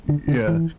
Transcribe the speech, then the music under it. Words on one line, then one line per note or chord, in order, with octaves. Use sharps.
y yeah.
D3
D3
E3